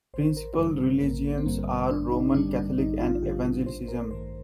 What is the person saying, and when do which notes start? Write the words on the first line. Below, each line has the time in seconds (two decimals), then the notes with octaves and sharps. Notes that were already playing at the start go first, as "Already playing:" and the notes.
Principal religions are Roman Catholic and Evangelicalism.
0.14 A1 C5
0.37 A#4
0.58 G2 D3 G3
1.02 A1 A#3
1.38 C4
1.46 G2 D3 G3 A#3
1.90 A1 D4
2.12 D#4
2.34 G2 D3 G3 D4
2.56 D4
2.78 A1 D#4
3.01 F4
3.22 G2 D3 G3 G4
3.66 A1 C5
3.88 A#4
4.10 G2 D#3 A3 C5